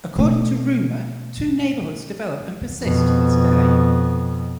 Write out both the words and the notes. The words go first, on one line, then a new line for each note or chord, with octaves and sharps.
According to rumor, two neighbourhoods developed and persist to this day.
B2 A3
F2 B2